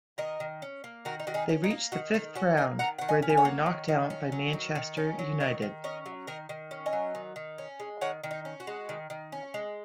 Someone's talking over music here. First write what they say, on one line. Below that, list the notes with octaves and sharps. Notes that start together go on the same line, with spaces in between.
They reached the Fifth Round, where they were knocked out by Manchester United.
D#3 A#4 D#5
D#3
C#4
A#3
D#3 F#4 A#4
D#4
D#3 F#4
D#4 G#4
C#4
D#4
A#3
D#3 F#4
D#3 D#4
C#4 F#4
A#3 D#5 G#5
D#3 F#5 A#5
D#3 F#5
D#5 G#5
C#4
G#5
C#5 F#5
A#3
D#3
D#3
C#4
F#3
D#3
D#3
C#4
F#3
D#3 A#4 D#5
D#3
C#4 A#4 D#5
F#3
D#3 A#4 D#5
D#3
C#4
D#5 G#5
F#3
D#3
D#3
C#4
G#3
D#3 C#5 F#5
D#3
D#4
C#4
F#4
G#3
D#3
D#3
C#4
G#3